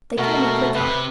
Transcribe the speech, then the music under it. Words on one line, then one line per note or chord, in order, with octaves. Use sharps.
They call me Quickeye.'
B2 A3 F#4 A#4
C3 B4